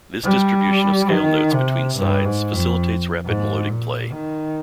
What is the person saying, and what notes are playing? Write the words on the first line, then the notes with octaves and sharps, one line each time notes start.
This distribution of scale notes between sides facilitates rapid melodic play.
G3
D#3
C3
G2
G#2
F2
G#2
A#2
D#3